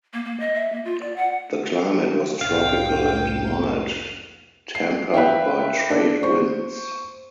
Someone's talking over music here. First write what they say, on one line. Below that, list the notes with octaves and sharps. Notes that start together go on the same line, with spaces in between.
The climate was tropical and mild, tempered by trade winds.
A#3
A#3
D#5
E5
A#3
F4
D5
F#5
C2 F2 A2 F5 G5
C7
B4 E5 F5 G5
D4
C5 C#6